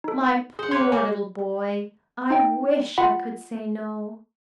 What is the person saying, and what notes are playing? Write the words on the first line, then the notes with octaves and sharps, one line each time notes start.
"My poor little boy, I wish I could say no."
D#4 A4
G#4 C5 F#5
A#3 B4 C#5 C6 G#6
A#3 F#4 G#5
D#4 G5
F4 F#5 B5